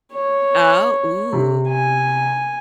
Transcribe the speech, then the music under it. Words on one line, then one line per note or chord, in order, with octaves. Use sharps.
Oh Ooh.
C#5
C3
G#5